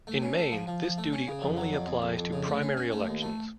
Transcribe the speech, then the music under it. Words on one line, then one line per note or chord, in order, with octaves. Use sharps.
In Maine, this duty "only" applies to primary elections.
A3
C#4
A3
F3
F3
F3
A3
C#4
C#3
F2
F#3
F2
F2
F2
F2
C#3
A3
C#4
C#4
A3
D#2
A3